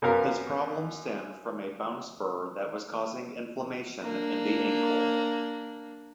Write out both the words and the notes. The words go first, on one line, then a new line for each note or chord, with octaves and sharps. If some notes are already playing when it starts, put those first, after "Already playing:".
His problems stemmed from a bone spur that was causing inflammation in the ankle.
F#2 B3 A#4 F5
A#3 D4